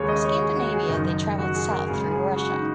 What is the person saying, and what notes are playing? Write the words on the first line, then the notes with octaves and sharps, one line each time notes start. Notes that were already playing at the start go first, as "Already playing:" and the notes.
From Scandinavia they travelled south through Russia.
Already playing: D#2 C#3 G#3 C#5
D#5
C#5
G#4
F#4
G#4
F#1 F#2 D#3 D#4
F#4
G#4
A#4
F#1 F#2 C#3 G#3 G#4
G#4
F#4
D#4